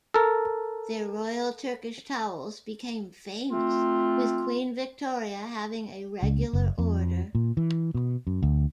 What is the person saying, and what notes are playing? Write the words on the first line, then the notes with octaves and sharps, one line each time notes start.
Their Royal Turkish towels became famous, with Queen Victoria having a regular order.
A4 A#4
A3 C4 F4
C#2
F#1
F2
A#2
E3
B2
F#2
D2